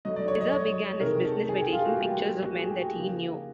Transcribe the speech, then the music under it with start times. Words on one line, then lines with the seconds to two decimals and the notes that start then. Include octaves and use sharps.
Mizer began his business by taking pictures of men that he knew.
0.05 D3 F#3 A3 D#5
0.16 D5
0.28 C#5
0.41 D#5
0.52 C#5
1.00 C3 D#3 G#3 A#4
1.24 A4
1.49 G#4
1.61 G4
1.72 F4
1.85 F#4
1.97 A2 E3 G3 A#3 G4
2.45 F#4
2.57 G#4
2.69 G4
2.80 F#4
2.93 C#3 F3 A#3